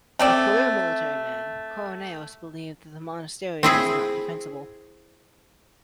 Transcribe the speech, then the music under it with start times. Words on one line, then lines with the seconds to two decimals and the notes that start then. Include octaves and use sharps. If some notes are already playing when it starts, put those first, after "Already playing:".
A career military man, Koronaios believed that the monastery was not defensible.
0.19 A3 C4 D5
3.63 C4 E4 G#4